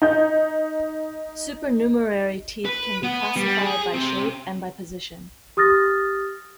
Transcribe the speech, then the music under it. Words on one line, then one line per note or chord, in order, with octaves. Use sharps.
Supernumerary teeth can be classified by shape and by position.
D#4 G6
B4
B3
G3
G#4
C3
G4 D#6 F6 A6 A#6